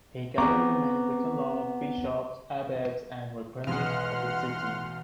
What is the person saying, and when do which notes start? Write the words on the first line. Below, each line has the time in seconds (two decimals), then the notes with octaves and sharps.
He gathered the main Breton lords and bishops, abbots and representatives of cities.
0.38 B3 C4 G#4 A#5 C#6 D6
3.67 B1 E2 E3 G#3 F#5 C6 F6